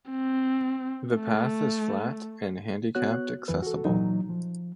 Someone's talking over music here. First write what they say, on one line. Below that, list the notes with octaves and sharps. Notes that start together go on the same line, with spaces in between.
The path is flat and handicapped-accessible.
C4
A3
B3 F#4 C#5 F#6
F2 E3 B4
F#4 A4
A#2 E3 F#3 D#4
F3